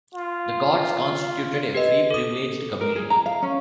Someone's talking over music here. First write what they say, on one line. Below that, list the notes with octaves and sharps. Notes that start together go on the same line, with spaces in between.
The guards constituted a free, privileged community.
F4
G4 B4 D#5
A4 D#6
A#4
G#4
A#5
F5
C#4